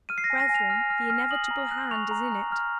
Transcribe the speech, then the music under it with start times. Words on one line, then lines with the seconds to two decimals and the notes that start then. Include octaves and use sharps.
Brethren, the inevitable hand is in it.
0.09 F6 D#7
0.18 C7
0.24 A#6
0.30 G#5
0.40 A#6
0.49 G#5
0.55 F7
0.70 F6
0.90 F6
1.10 F6
1.31 D#6 F#7
1.51 A#5
1.71 F#6
1.91 C#6 F7
2.11 A#5
2.32 A#5
2.52 F6